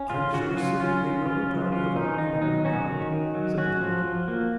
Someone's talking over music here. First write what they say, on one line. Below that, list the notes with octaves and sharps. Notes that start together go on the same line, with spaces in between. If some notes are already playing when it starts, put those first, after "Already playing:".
"I'm sure, sir, you may well be proud to have outed him in one round," said the publican.
Already playing: C#4
C#3 F4
C#3 F#4
F#3 F4
C#4 F4
C#3
C#3 F4
F#3
C#4 F4
D#3 D#4
D#3 D#4
F#3 D#4
C#4 F#4
D#3
D#3
F#3
C#4 F#4
F3
F3
A#3